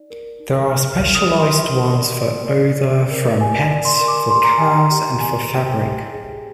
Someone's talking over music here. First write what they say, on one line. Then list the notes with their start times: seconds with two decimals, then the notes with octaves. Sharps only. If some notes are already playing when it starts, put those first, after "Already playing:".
There are specialized ones for odor from pets, for cars, and for fabric.
Already playing: D#4 D5
0.10 A#4
0.40 D#4
0.70 D#4 F6
0.92 F6
1.00 A#4
1.15 D#6
1.30 A#4
1.38 C6
1.61 A#4
1.91 D5
2.20 D5
2.50 D5
2.80 G4
3.11 A#4
3.41 G4 G#5
3.63 G#5
3.71 D5
3.85 C6
4.01 A#4
4.08 D6
4.30 G4 C6
4.44 A#5
4.58 G4 G#5
4.73 A#5
4.91 G4
5.20 G4 G#5
5.51 G4
5.66 G5
5.81 G4
6.11 G#4